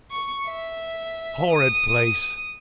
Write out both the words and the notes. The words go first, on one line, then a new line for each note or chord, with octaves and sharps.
Horrid place!
C#6
E5
D#6